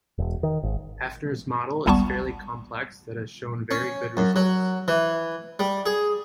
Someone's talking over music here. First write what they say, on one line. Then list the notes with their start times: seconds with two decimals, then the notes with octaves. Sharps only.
Hefner's model is fairly complex that has shown very good results.
0.18 E1
0.43 D#3
0.63 G#1
1.86 G#1 C#2 G3 B3 A5 C#6
3.71 C#4
4.17 F#2
4.36 F#3
4.88 E3
5.59 G3
5.86 G#4